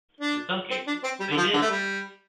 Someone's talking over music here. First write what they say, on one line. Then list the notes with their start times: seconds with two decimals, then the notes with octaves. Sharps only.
In some cases, they did!
0.20 D4
0.71 C4
0.87 D4
1.04 C4
1.20 G3
1.31 D3
1.37 F3
1.53 D3
1.61 A3
1.70 G3